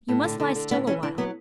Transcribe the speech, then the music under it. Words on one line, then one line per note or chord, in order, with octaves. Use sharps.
You must lie still awhile.
A2
D3
D3
D3
A2 B3
E3 C#4
E3 D4
F#3 B3